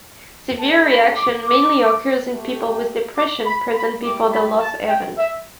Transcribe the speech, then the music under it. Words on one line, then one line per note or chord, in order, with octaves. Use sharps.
Severe reactions mainly occur in people with depression present before the loss event.
A3 D4 G4 A5
B5
D6
D6
A3 G4
D6
B5
B5
G3 E4 G4 D6
B5
A5
G5
E5